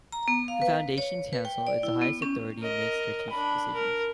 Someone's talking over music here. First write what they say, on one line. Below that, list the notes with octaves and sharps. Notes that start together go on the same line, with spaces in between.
The Foundation Council is the highest authority and makes strategic decisions.
A#5
B3
F5
B4
C#5
B4
G5
D5
E4
B3
C#4
A#4 D#5
D4 B5
A#4